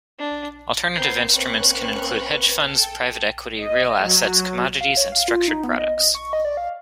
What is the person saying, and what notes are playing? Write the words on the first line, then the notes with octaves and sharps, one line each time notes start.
Alternative investments can include hedge funds, private equity, real assets, commodities, and structured products.
D4
B3 C4 A#4 G6 C7
A#3 C4 C#4 B4 C#6 F#6
A4 G5
D#5
F#3
F5
C#5
F5
F4
D#4
B3
D#5
D#5
C#6
D#5
D5
F5